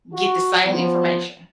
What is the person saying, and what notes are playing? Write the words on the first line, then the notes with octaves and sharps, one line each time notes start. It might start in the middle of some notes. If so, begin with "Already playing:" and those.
get the same information."
F#4
F3 B3